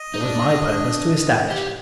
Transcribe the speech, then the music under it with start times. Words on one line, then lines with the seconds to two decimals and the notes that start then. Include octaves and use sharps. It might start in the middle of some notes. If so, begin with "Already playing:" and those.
It was my purpose to establish it.
Already playing: D#5
0.14 D#4
0.21 D4
1.50 G4